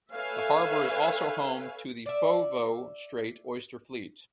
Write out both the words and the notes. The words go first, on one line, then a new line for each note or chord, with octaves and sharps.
The harbour is also home to the Foveaux Strait oyster fleet.
A4 B4 C#5 E5 F5 G#5
D5 E5